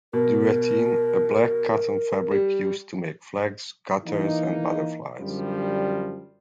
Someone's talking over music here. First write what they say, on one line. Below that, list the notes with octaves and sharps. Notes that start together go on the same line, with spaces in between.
Duvetyne - A black, cotton fabric used to make flags, cutters and butterflies.
B2 A#4
G3
E3 A#3 D#4
F#2 D3 F3 G3